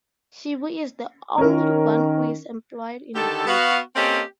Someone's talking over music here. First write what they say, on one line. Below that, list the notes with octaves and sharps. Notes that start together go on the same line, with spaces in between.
Shibu is the only one who is employed in the group.
D#3 C#4 A#4
D3 D#3 G4 A4
B3 F#4 F5
A#3 C4 C#4 G4 A4 D#5